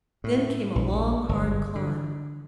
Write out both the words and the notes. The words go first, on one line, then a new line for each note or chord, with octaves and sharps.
Then came a long, hard climb.
A2
A#1
G1
D3